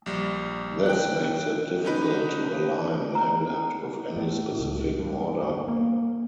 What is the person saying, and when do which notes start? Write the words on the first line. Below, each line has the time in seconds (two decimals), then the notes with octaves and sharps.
This makes it difficult to align Langland with any specific order.
0.06 A#1 G3
0.86 G5 F#6
1.85 C#4 D#4 B4
3.15 B4 A#5
4.16 A2
4.59 C#2
4.99 G2
5.68 A#3